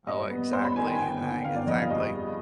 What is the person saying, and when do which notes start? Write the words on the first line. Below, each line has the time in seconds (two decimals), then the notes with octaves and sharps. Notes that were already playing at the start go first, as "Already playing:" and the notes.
Oh exactly, I exactly.
0.07 G2 D#5
0.30 B3
0.53 G2 C5
0.64 B5
0.76 D#3 G#5
0.87 G5
0.95 G#5
0.99 G1 G5
1.21 D3
1.44 G1 F5
1.55 D5
1.67 F2 D#5
1.78 F5
1.90 G2 D#5
2.13 G#3